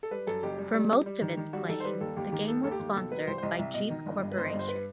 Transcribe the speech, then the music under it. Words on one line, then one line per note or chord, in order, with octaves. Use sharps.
For most of its playings, the game was sponsored by Jeep Corporation.
A4
G3 B4
F#2 A4
F#1 G4
G3
G3
G3
G3
D#3
D#3
G3 F#4
D#3 A4
C5
G3 B4
D#2 A4
D#2 G4
D#3 G4
A3 A4
D#2 A4
G4
D#2
B2 A4
F#3 B4
C2 C5
C5
C2 D#5
C2 E5
B2 D#5
D#3
G1
G2
B4
G1 C5
G2 D#5
C5
B4